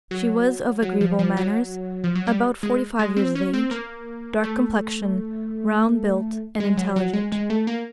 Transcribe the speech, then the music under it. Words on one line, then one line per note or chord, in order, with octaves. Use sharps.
She was of agreeable manners, about forty-five years of age, dark complexion, round built, and intelligent.
F#3
F#3
F3
F3
F#3
F3
F#3
G3
G#3
G#3
C4
C#4
C4
A#3
A3
G#3
F#3
F#3
G#3
G#3
A3
A#3